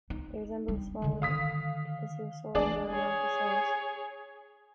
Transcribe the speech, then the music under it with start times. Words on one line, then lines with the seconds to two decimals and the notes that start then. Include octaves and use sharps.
They resemble small plesiosaurs or nothosaurs.
0.10 D#4
0.68 G3 D4
1.02 D3 D#3
1.22 F5 D#6 B6
2.55 E3 A3 D4 G#4 D5
2.91 G#4 C#5